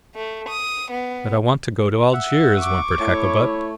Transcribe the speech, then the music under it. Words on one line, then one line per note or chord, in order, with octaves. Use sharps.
"But I want to go to Algiers," whimpered Hakkabut.
A3
D#6
B3
E5 F#5
C#6 D6
A3 E4 C#5